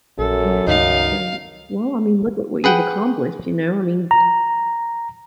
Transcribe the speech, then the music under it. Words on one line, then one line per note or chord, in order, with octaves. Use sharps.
Right, right. Well, I mean, look at what you've accomplished, you know? I mean,
A#1 F#2 A4
C#2 G2 D#3 D#4 F5
G#4 B4 F#5 G5
A#5